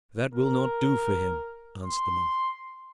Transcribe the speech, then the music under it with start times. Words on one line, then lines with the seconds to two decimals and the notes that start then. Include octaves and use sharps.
"That will not do for him," answered the monk.
0.33 A#4
1.84 C6